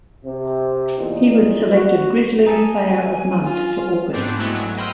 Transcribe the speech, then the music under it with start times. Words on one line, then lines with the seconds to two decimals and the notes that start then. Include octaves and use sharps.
He was selected Grizzlies' Player of Month for August.
0.24 C3
0.97 E2 A#2 D#4
1.72 F#4
2.46 D#4 A4 E5 G#5
3.44 F4
4.12 G#2 B3 C4 D4
4.38 G#3 A3 B3 E4 F#4
4.53 G#2 F#3
4.77 D#5 G5 B5 C6 E6 F6